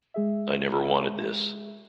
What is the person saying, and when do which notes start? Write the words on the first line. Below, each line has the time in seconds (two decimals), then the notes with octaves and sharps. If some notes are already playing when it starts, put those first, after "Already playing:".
'I never wanted this'.
0.14 G#3 G#4 E5